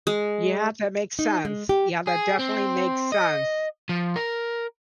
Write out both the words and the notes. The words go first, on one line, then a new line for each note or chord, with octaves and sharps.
Yeah, that makes sense, yeah, that definitely makes sense.
G#3
D#4
G#3
G4
G#4
C4
D#5
F3
A#4